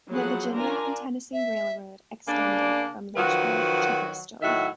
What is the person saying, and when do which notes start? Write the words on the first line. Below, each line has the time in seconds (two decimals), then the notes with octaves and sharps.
The Virginia and Tennessee Railroad extended from Lynchburg to Bristol.
0.10 F3 F#3 B3 G#4 A4 F#5
0.55 D4 F4 A#4 G#5 A#5
1.33 E5
2.27 C#3 A#3 D4
3.16 D#3 F3 F#3 F#4 B4
4.42 A2 D#3 F#3 F#4 E5